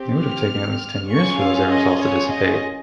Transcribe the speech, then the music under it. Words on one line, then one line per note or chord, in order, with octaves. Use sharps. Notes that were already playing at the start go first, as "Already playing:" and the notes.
It would have taken at least ten years for those aerosols to dissipate.
Already playing: C4 G4
F6
C#4 F4 G#4 C#6
F5
D#5
C#5
D#5